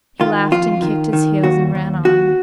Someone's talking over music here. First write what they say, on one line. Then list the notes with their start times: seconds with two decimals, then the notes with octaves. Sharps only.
He laughed and kicked his heels and ran on.
0.20 D#3 F4
0.52 F2 F4
0.82 D#3
1.13 D#3
1.44 D#2 F#4
1.75 D#2
2.05 D#2 F#4